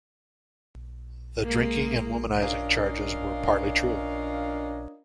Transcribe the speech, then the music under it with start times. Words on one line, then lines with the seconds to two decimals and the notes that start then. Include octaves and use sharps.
The drinking and womanizing charges were partly true.
1.44 G#3 A#3
2.41 C#4 D4 F4 A#4 D#5 F5